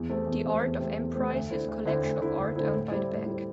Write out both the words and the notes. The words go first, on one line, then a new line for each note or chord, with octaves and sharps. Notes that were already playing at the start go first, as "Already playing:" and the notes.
The Art of Emprise is a collection of art owned by the bank.
Already playing: E2
C3 A3 C4
E2
C3 A3 C4
E2
C3 A3 C4
E2
C3 A3 C4
D2
D3 C4 E4
D2
D3 C4 E4
D2
D3 C4 E4
D2
D3 C4 E4
A2
G3 C4 E4
A2
G3 C4 E4